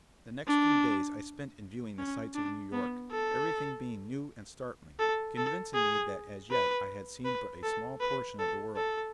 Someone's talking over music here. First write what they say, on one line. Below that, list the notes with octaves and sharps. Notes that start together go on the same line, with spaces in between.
The next few days I spent in viewing the sights of New York, everything being new and startling, convincing me that as yet I had seen but a small portion of the world.
D4
C#4
D4
B3
A4
A4
A4
G#4
B4
B4
A4
B4
A4
A4